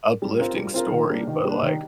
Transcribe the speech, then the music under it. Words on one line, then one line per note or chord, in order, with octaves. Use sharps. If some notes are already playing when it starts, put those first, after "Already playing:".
uplifting story, but, like,
G3
C4 F4 A#4
G3
C4 F4 A#4
D#3
G3 A#3 D4
D#3
G3 A#3 D4
D#3